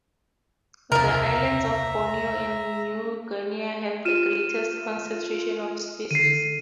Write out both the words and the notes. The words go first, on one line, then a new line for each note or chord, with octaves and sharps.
The islands of Borneo and New Guinea have the greatest concentration of species.
E1 C#2 C3 F3 A#4 E5 A#5
F4 F6 D#7 E7
D3 C7 D#7